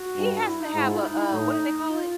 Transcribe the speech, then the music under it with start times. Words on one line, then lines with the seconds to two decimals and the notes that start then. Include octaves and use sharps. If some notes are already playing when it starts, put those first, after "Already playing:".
He has to have a a what do they call it?
Already playing: F#4
0.17 G2
0.46 E4
0.60 D#4
0.74 G#2 E4
0.89 F4
0.99 E4
1.03 D#4
1.17 E4
1.32 A2 D#4
1.90 F4